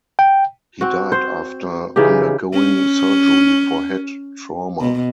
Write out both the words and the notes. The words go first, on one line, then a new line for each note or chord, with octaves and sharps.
He died after undergoing surgery for head trauma.
G5
C4 F#4
C5
C#3 E3 D#4 G4
C#4
B2